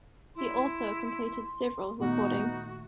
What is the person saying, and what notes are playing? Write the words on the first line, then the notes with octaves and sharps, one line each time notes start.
He also completed several recordings.
E4 C6
A#2 D#3 A3 B3 D#4 F#4